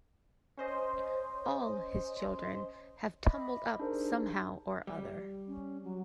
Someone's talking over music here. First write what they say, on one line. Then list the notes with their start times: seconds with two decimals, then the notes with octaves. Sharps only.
All his children have tumbled up somehow or other.
0.57 C#4 C5 D#5
3.25 D#5 E5 B5 D6
3.79 D4 D#4 G4 G#4 A#4 C5
4.87 G3
5.47 C#4
5.83 F#3